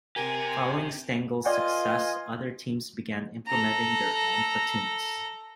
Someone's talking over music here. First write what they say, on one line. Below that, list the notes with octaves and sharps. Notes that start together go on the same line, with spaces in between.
Following Stengel's success, other teams began implementing their own platoons.
C3 G4 A#4 G#5
F4 A4 B4 D5 D#5 G5 G#5
A4 A#5